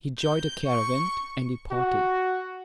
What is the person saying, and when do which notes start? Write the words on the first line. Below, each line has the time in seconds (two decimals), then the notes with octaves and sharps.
He joined a caravan, and departed.
0.19 G6
0.66 C#6
1.71 F#4